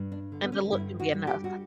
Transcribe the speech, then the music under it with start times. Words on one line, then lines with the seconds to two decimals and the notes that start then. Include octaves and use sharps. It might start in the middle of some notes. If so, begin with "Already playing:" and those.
and the look can be enough.
Already playing: G2
0.12 D4
0.32 D3
0.43 B3
0.52 C#4
0.72 G2 E4
1.00 F#4
1.13 G3
1.27 G4
1.44 F#4